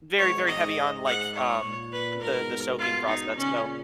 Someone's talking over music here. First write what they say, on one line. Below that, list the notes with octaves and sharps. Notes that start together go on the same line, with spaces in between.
Very, very heavy on, like, um, the the soaking process, so
G#2 B2 C#5
G#2 D#5
F#5
C#5
A#2
B4
G#2 B2 A#4
F4
D#4
A#2 C#3 C#4